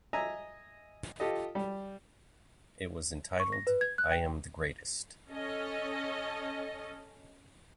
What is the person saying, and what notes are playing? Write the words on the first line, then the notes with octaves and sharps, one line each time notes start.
It was entitled I Am the Greatest!
D#5 E5 G#5 A#5
F4 G4 A4 D#5
G3
C#6
A#6
B4
G#6
F#6
G5
C#4 A4 D#5